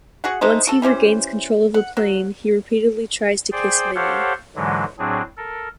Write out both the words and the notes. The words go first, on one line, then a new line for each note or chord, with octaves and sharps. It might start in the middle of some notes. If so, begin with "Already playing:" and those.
Once he regains control of the plane, he repeatedly tries to kiss Minnie.
F#4 G#4 F#5
G#3 A3 D#4 C5
F#4 A4
E3 G3 C#4 C5
F#5
F#3
G#4 C5 D5 G5
G4 A4 C5 C#5 F5 F#5
G#2 D3 E3 F#3 G#3
A2 F#3 C4 D4 G#4
A4 A#4